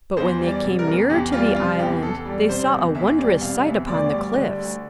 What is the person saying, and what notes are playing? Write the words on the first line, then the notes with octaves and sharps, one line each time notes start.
But when they came nearer to the island they saw a wondrous sight upon the cliffs.
E2 C5
G3
D5
C3
A#4
E2
E2 G4
G3 F4
C3 F4
E2 G4
E2 A4
G3
C3 C5
E2
E2 E5
G3 D5
C3 F5
E2 E5
D2 D5
G3
D3
D2